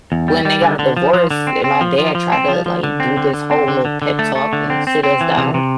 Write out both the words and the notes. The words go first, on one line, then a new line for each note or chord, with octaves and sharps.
When they got a divorce and my dad tried to, like, do this whole little pep talk and sit us down, I'm
E2
G3
G3
D3
D3
F3
F3
D3
C4
C4
F3
F3
F3
C4
F3
F3
D3
C4
D3
D3
C4
D3
D3
D3
A3
A3
D3
C4
C4
C4
E3
C3
C3